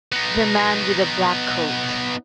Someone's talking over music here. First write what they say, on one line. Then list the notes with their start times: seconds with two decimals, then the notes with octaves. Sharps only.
The man wi' the black coat.
0.13 B3 D#4